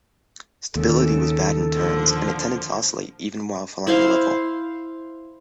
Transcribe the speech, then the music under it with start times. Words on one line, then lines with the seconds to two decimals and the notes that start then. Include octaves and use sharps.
Stability was bad in turns, and it tended to oscillate, even while flying level.
0.75 D#2 C#3 A4
1.74 A#2 D3 F3
3.87 E4 C5 F5 C6